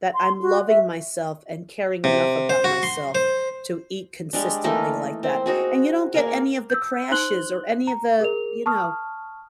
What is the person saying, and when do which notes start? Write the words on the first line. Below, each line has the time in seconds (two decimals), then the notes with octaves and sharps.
that I'm loving myself and caring enough about myself to eat consistently like that and you don't get any of the crashes or any of the you know,
0.14 C6
0.42 F#4
0.68 E5
2.04 C3
2.50 C5
2.64 F#4
2.83 C6
3.15 C5
4.33 G3 G#3 D4
4.64 E3 A3 A#3 D#4
5.23 C4
5.46 D#4 F#4 G#4
6.14 A#3 G#4 A#4
6.70 E6 G6
7.11 D#4 C5 C6 F#6 F#7 G7
7.87 A#5
8.20 G#4 A#4 F7
8.66 A5 C#6 D#6 F6